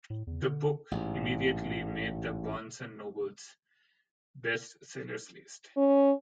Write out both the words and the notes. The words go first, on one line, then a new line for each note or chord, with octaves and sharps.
The book immediately made the Barnes and Noble's Best Sellers List.
A2
E2
D3
A1 G#2
C#4